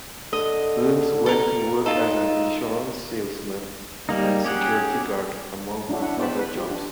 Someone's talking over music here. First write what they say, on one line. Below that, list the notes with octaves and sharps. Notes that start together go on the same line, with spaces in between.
Burns went to work as an insurance salesman and security guard, among other jobs.
D3 D#5
A4 A#4
D#4 F4 A4
G3 A#3 D#4
C#4 G4 G#4 F#5
C#4 D4 E4 F#4
D4 E4 F#5
B3 F#4 C5 G5 A5 B5
B4 B5
F4 G4
D4